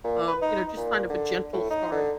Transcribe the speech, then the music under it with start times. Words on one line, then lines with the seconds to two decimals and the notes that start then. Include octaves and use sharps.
um, you know, just kind of a gentle start,
0.04 A#2
0.28 B4
0.42 D#4
0.77 A#2
1.10 D3
1.53 A2
1.70 D#4
1.92 D3